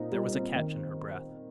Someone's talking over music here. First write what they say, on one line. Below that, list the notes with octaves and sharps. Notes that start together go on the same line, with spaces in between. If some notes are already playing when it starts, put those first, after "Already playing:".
There was a catch in her breath.
Already playing: A#2 C4 D#4
G3
C4
D#3